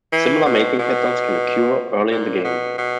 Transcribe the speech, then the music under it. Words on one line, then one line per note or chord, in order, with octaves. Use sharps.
Similar mating patterns can occur early in the game.
E3
B2
B2
A#2
B2
B2